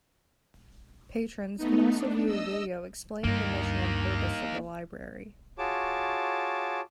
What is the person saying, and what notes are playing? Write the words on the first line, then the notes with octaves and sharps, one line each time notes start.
Patrons can also view a video explaining the mission and purpose of the Library.
A3 B3 D#4
D4
D#5 E6
D2 G2 A#3 D#4
F4 F#4 G#4 C#5 A5 D6